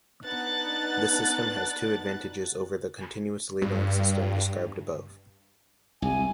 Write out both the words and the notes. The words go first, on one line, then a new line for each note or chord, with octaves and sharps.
This system has two advantages over the continuous labeling system described above.
B3 D4 D#4 F#6 A6
G2
C2 G#5